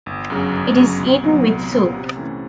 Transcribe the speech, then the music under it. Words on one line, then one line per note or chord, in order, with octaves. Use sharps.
It is eaten with soup.
G1
F#2 C#3 F#3
G1
F#2 C#3 F#3
C2
A#2 F#3 B3
C2
A#2 F#3 B3
C3
E3 A3 C#4